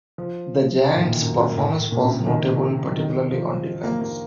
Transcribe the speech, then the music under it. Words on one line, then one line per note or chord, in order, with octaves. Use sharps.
The Giants performance was notable, particularly on defense.
F3
D#3
A2
A#2
F#2
F#2
A2
A#2
C3
C#3
D#3
C#3
C3
C#3
D#3
F3
A#3
A#3